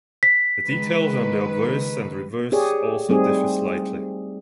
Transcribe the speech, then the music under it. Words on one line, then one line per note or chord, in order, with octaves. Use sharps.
The details on the obverse and reverse also differ slightly.
B6
D#3 G#3 B4
G4 G#4 C#5 D5
G3 A3 C4 D#4 G#4